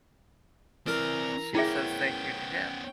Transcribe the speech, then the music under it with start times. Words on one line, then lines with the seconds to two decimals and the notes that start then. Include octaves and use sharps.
she says "Thank you" to him,
0.86 E3 C4 A#4 D5 A#5
1.55 B3 C#4 E4 G#4 E5 G5